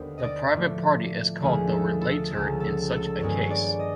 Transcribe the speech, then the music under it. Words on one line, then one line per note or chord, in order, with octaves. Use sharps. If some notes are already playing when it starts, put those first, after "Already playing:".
The private party is called the "relator" in such a case.
Already playing: D#2 D3 G3 B3 C5
D5 D#5
A2 F3 A3
D#2 D3 F3 A3 G#4
A4
A4
C#2 C#3 F3 A4
A4
A4
G2 D#3 G#3 B3 C#5
C#5
D5
D#5